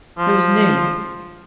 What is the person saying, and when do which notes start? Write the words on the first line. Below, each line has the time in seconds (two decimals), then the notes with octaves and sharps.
It was noon.
0.18 F3